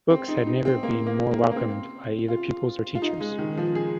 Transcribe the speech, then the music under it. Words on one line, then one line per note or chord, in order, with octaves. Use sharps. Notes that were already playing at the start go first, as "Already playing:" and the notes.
Books had never been more welcomed by either pupils or teachers.
C4
D#4
D#4
C4
A#3
A#3
A#3
A#3
C4
F4
F4
D#4
G#3
D#3
F3
G#4